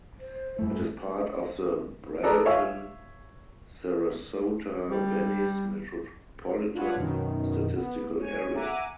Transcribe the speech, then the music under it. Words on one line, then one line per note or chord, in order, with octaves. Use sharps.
It is part of the Bradenton–Sarasota–Venice Metropolitan Statistical Area.
C5
G2 A3 E4
G#4 A4 B4 D5 A#5
C#5 E5 F5 G#5 C#6
G3
D4 F4 B4 C#5 F#5
F#2 B2 D#3
B3
C#5 G#5
E5 F#5 G#5 A#5 D6 D#7